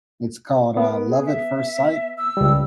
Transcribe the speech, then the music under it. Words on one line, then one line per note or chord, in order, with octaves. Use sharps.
It's called, uh, Love at First Sight
B3 A#4
G#4
E5
E6
C#2 G3